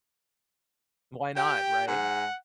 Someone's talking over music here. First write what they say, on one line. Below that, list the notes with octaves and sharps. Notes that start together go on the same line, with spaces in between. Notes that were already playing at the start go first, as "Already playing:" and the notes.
Why not, right?
G4 G5
G#2 F#5